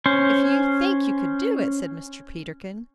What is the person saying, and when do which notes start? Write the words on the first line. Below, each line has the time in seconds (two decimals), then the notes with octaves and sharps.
"If you think you could do it," said Mr. Peterkin.
0.06 C#4 C5